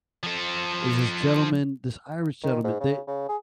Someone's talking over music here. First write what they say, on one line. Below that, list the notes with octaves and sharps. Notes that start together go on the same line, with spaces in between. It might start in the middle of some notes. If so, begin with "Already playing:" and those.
is this gentleman this Irish gentleman, they
F3 A4
D#3
G#2
C#3
C#3
G#4